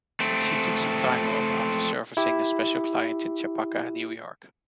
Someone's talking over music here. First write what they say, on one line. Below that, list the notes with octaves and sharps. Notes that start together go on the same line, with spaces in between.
She took some time off after "servicing" a special client in Chappaqua, New York.
A3 C4
E4 G4